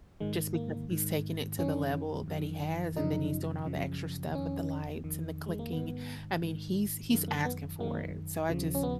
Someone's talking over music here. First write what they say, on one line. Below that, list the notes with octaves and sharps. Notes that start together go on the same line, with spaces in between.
just because he's taking it to the level that he has, and then he's doing all the extra stuff with the lights and the clicking. I mean, he's he's asking for it. So I just
G#2 D#3 G#3
A#3
G#2 D#3
F#2 D#3 C#4
F#2 D#3
F#2 C#3 F3 D#4
F#2 C#3 F3
F2 D#3 C#4
F2 D#3
G#3
A#3
G#2 D#3 B3
G#2 D#3
F#2 D#3 A#3
A#3
B3
F#2 D#3 A#3
D#2 C#3 F3
C#4
B3